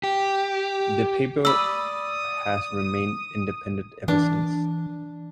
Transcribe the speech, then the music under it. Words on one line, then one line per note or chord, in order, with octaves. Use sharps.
The paper has remained independent ever since.
G4
D5 B5 D#6 E6
E3 D4